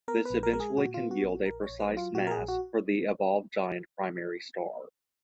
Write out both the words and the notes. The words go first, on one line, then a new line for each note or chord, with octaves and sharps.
This eventually can yield a precise mass for the evolved giant primary star.
B3 A#4
A#1 B4
A#4
G#3 A#4
G#4
A#2 F#4
F4
B3
F#4
A#1
F#4
A#1 A#4
C#5
A#1
B4
F#3
F4
A#2 F#4
A#4
G#4
A#1
F#4